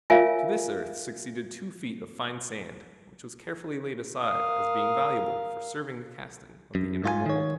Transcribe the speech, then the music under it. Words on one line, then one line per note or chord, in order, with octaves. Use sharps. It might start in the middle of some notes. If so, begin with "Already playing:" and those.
To this earth succeeded two feet of fine sand, which was carefully laid aside as being valuable for serving the casting of the inner mould.
F4 A#4 C#5 E5 F5 G#5
A#4 F5 D#6
F#2
G#2 F4 G#4 G#5
D#3 C#5